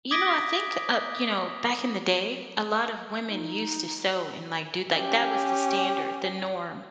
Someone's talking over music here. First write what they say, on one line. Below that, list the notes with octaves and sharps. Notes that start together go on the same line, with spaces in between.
You know, I think, uh, you know, back in the day, a lot of women used to sew and, like, do like, that was the standard, the norm,
D6 D#6 G#6 A#6 B6 D7
D#4
C#4 G4